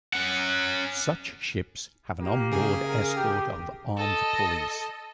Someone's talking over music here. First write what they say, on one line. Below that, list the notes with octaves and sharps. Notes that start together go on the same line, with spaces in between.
Such ships have an onboard escort of armed police.
C#4 F#5
A#3 G4
C#3 G#4
A#4
G4
A4 D#5